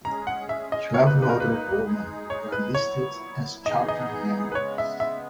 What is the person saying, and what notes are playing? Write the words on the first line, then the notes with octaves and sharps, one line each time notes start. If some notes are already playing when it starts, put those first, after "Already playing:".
Twelve other women were listed as charter members.
G#3 C#4 G#4 A#5
F#5
E5
D#5
A#2 A#3 D#4 C#5
B4
B4
A#4
B4
G#3 D#4 G#4
C#5
B4
A#2 F#3 B3 E4 C#5
E3 B3 D#4 G#4 D#5
D#5
B4
C#3 G#3 B3 C#5
E5
E5